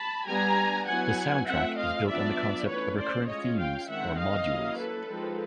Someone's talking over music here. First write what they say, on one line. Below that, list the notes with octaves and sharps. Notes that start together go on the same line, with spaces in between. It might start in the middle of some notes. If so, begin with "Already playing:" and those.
The soundtrack is built on the concept of recurrent themes or "modules".
Already playing: A5 B5
G3 B3 D4 G#5 A#5
F#3 B3 E4 F#5 G#5
A3 C4 F4 E5 F#5
D#5 F5
F#3 B3 D4 F4 D5 E5
E3 A3 C#4 B4 C#5
C5 D5
G#3 C#4 F4 C#5 D#5
F5 G5
D#3 G#3 C4 E5 F#5
D#5 F5
F#3 A#3 C#4 E4
A4 B4
F3 G#3 C4 D#4